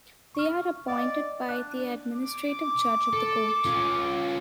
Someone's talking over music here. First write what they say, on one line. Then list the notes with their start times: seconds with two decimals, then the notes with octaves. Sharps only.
They are appointed by the administrative judge of the court.
0.35 C#6 F6
0.88 D5 D#5 F5 G5
1.49 D4 F#6
2.15 D6
3.13 A4
3.65 C#4 F4